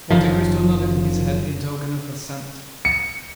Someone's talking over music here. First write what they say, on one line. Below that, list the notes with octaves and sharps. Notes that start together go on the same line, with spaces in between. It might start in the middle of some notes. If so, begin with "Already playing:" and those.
Monte Cristo nodded his head in token of assent.
F#1 F#2 D#3 F3
C#7